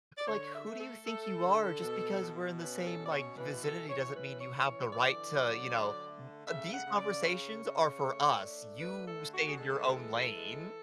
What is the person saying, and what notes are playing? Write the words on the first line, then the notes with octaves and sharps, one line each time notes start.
Like, who do you think you are? Just because we're in the same, like, vicinity doesn't mean you have the right to, you know, m uh, these conversations are for us. You stay in your own lane.
D5
D3 C#5
E5
A3
A4
A3 A4
D3
B2
B2
C#4 B4
A4
B2
D5
C#5
E3 B4
A4
E3
C#5
C#4 B4
C#5
E3
C#5
D3 D5
F#3
D3
A3
C#3 E5
F#5
C#3
D5
C#3 C#5
C#3
A3
D4
A3 B4
A4
D3
F#4
G#4
G#3 A4
E3
G#3